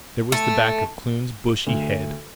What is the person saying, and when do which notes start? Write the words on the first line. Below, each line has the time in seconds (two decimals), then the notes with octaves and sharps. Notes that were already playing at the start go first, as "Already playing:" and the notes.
There was the back of Kloon's bushy head.
0.32 A3
1.67 D2